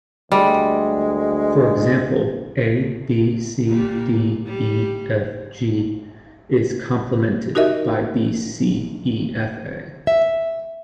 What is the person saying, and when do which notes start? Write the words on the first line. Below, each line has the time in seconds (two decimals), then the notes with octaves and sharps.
For example, A-B-C-D-E-F-G is "complemented" by B-C-E-F-A.
0.32 D2 G3 G#3
3.67 A#2 G3 A#3
4.45 G3
7.55 D#4 F#4 G4 A#4 D#5 E5
10.07 E5